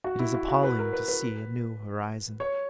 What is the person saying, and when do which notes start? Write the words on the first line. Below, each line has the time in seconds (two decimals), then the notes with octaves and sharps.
It is appalling to see a new horizon.
0.04 F#4
0.19 E4
0.34 F#4
0.48 F#4
0.63 B4
0.78 A#4
0.93 B4
1.08 B4
2.40 C#5